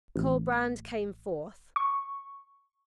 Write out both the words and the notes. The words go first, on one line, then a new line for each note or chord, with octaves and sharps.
Colbrand came forth.
A1
C#6